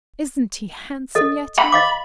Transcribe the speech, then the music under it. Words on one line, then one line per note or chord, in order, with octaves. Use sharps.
Isn't he handsome, Yetive?
A4 D#5
B5
D#5 F5 D6